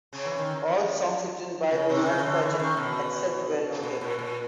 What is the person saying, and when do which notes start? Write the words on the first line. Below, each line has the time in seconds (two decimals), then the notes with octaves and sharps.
All songs written by Donald Fagen, except where noted.
0.13 C#3
0.26 E3
0.38 D#3
1.71 C#3
1.89 C3
2.06 C#3
2.23 D3
2.42 E3
2.59 D#3
2.77 B2
3.83 A#2
4.01 A#2
4.19 A#2